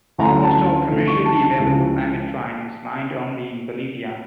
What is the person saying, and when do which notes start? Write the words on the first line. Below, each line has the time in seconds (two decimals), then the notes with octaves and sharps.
Almost all commercially available ametrine is mined only in Bolivia.
0.19 D2 D3 A3 C#4 E4 A#5
0.43 A5
0.90 D2 D3 A3 C#4 E4
1.07 C#6
1.25 A5
1.42 A5
1.60 C#2 C#3 F3 C#4 E4